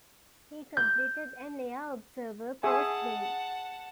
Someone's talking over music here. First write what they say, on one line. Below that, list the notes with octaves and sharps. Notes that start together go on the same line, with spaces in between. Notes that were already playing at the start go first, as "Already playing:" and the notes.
He completed an air observer course then.
G6
G#4 E5 F#5 G#5 A5